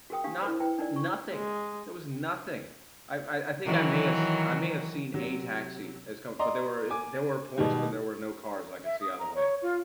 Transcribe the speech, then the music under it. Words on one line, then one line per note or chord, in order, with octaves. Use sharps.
Not eh, nothing. There was nothing. I I I think I may have s I may have seen a taxi is coming, but there were there were points when there were no cars I could see either way.
F#4 G#4 A#4 G5 D#6
D4 G4 F5
E4 A#4 C5
E4 B4 G5
D4 D#4 A#4 D5
C#6
G#3
D#3 E3 F#3
C3 F#3
D5 D#5 A#5 C6
G#5 D6
B2 D#3 G3 G#3
E5
D#6
A#5
C#5
F4